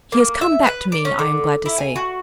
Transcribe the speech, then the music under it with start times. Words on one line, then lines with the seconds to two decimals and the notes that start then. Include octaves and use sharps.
He has come back to me, I am glad to say.
0.12 A#3
0.41 E5
0.67 B4
0.92 D5
1.05 C#4
1.19 D3
1.66 E4
1.78 G#5
1.96 F#4